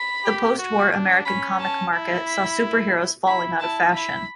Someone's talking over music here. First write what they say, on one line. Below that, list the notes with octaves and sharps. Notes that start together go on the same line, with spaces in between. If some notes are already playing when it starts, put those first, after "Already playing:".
The post-war American comic market saw superheroes falling out of fashion.
Already playing: B5
G4
F#4
D4
C#4 B5
A5
E4
B5
E4 B5
E4 A5
E4 B5